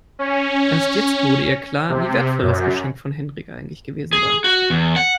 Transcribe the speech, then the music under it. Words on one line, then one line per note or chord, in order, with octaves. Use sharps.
Erst jetzt wurde ihr klar, wie wertvoll das Geschenk von Henrik eigentlich gewesen war.
C#4
C3
F#2
G#4
F#4
E2
F#5